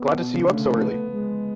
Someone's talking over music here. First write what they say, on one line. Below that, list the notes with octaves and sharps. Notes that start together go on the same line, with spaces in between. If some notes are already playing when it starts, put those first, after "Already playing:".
Glad to see you up so early.
Already playing: B3
B2
C#3
D3 A3
F3
B3
G#3